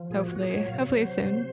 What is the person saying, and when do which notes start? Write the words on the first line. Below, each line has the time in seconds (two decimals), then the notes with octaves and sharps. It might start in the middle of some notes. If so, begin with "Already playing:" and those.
hopefully, hopefully soon.
Already playing: F3
0.10 A#2 G#4
0.25 F#4
0.33 A#2
0.39 G#4
0.54 F#3 C#5
0.68 F5
0.75 C3
0.82 C#5
0.97 F#3 C5
1.19 C3